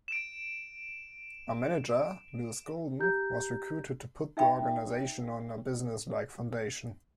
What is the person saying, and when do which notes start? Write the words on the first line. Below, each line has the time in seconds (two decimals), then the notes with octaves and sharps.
A manager, Lewis Golden, was recruited to put the organisation on a businesslike foundation.
0.08 D7 E7
2.99 G4 A#5 G6
4.37 D#4 E5 G5 B5